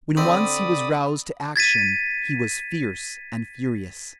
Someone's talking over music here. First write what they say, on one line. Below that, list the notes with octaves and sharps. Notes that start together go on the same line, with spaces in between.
When once he was roused to action, he was fierce and furious.
D3 C4 D5 B5 D#6
G#6 A6 B6 D#7